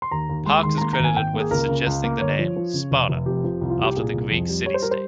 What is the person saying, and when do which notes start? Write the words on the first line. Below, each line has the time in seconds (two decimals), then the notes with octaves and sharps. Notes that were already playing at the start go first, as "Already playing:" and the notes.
Parks is credited with suggesting the name "Sparta", after the Greek city-state.
0.02 C6
0.11 D#2 A#5
0.29 D#2
0.46 G#3 C6
0.63 D#3 C6
0.78 A#5
0.81 A#3 C6
0.93 A#5
0.99 G#1
1.04 G#5
1.16 G#1 G5
1.34 A#3
1.40 G#4
1.51 C#2 A#4
1.69 C#3
1.86 C#2
2.04 A#3
2.21 G1 C#5
2.39 F3
2.56 F3
2.73 C#3
2.91 F1
3.09 F1
3.26 F2 G4
3.44 F3
3.61 C2
3.70 F4
3.79 C2 G4
3.96 A#2 G#4
4.13 C2
4.31 F2
4.49 G3
4.66 G3 C#5
4.74 C5
4.82 G3 A#4
4.91 C5